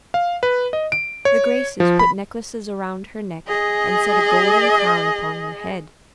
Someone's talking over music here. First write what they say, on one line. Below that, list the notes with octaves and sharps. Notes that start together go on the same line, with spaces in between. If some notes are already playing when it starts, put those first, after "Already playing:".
The Graces put necklaces around her neck and set a golden crown upon her head.
F5
B4
D#5
D7
C#5
F3
B5
G#4 D#5